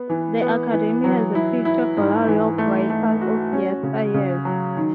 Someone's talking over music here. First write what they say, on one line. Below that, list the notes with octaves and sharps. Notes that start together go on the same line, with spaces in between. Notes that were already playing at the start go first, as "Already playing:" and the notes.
The Akademi has a picture gallery of writers of yester years.
Already playing: B3
E3
B3
E3
F#3
E4
E4
G#2
E3
A3
A3
F#4
C#4
C#3
C#3
F#3
D#3